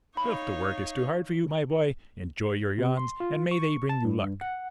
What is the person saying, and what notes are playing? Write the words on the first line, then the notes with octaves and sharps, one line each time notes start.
"If the work is too hard for you, my boy, enjoy your yawns and may they bring you luck!"
D#4 C#5 F5 B5
C3
C6
F4
C#6
A5
G2
F#5